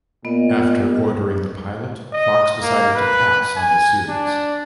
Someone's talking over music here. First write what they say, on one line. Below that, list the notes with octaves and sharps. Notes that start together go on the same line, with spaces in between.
After ordering the pilot Fox decided to pass on the series.
A#2 B3 D#5
D#5
A#3
B4
G#5
D4